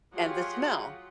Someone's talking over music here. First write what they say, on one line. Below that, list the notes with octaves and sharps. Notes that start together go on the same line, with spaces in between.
And the smell.
F#3 F4 G4 G#4 F#5